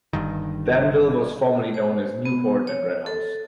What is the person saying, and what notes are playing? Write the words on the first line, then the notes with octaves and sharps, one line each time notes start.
Danville was formerly known as Newport and Red House.
G1 G2 D#3
C5
B3
C#5
A4